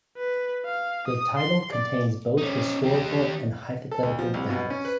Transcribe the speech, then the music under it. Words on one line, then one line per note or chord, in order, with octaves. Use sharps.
The title contains both historical and hypothetical battles.
B4
F5
D#6
C6
D5
C#4 D#4
D#3 G4
A4
D2
F3
C2
B2
C#4
B4